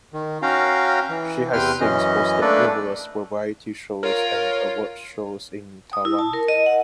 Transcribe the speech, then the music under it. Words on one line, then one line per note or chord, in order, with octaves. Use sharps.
She has since hosted numerous variety shows and award shows in Taiwan.
D#3
C#4 F#4 F5 G5 A#5
E3
E2 C3 B4 G5 C6 F6
F#2 E3 C#4 D#5
A3 A#3 D4 A4 B4 D5
F4 A#4 C#5
D#6
E4
A5
A#4
D#5
F#5